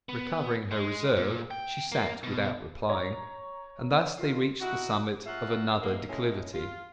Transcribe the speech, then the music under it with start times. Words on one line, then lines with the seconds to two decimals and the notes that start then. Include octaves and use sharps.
Recovering her reserve, she sat without replying, and thus they reached the summit of another declivity.
0.09 B3
0.72 G#3
1.17 A#2
1.51 G5
1.92 A#3
2.23 B2
2.89 C#5 A#5
4.18 D2 D#3 F4
4.61 D#4 E4 F#4
5.27 A#3 C#4 F4 E5 F#5
5.82 B2 E3 G#3 A#3
6.08 A2 G#3 C#4
6.53 F4